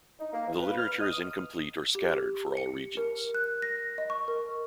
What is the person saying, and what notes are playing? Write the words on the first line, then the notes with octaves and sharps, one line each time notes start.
The literature is incomplete or scattered for all regions.
D#4
A#3
E2
B4
F6
D#6
G4
C#7
A#4
F#6
A#6
D#5
C#6
A#4